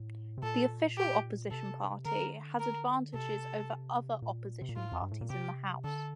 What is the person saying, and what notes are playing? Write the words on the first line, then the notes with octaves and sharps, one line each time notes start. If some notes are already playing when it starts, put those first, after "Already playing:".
The Official Opposition party has advantages over other opposition parties in the House.
Already playing: A2
C3
A#2 A4
G4
C3 A4
D3 A#4
A#4
C3 A4
A#2
C3
A#2
A2 F4
F2
G2
A2
A#2
C3 G4
D3 A4